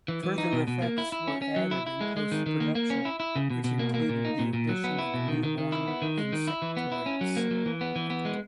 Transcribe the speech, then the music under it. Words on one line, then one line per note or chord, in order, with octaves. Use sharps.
Further effects were added in post-production, which included the addition of newborn Insectoids.
E3
E3
D#4
B2
B2
A#3
E4
E4
C#4
C#4
F#3
E4
E4
G#3
G#3
D#3
D#3
A#3
A#3
C#4
E4
E4
C#3
B2
B2
A#3
A#3
A#2
D#4
A#2
A#2
F#3
B3
E4
B2
D#3
D#3
D#3
E4
B3
D#3
G#3
D#3
E4
E3
B3
E4
C#4
F#3
A#3
F#3
E3
B3
E3
B3
G#3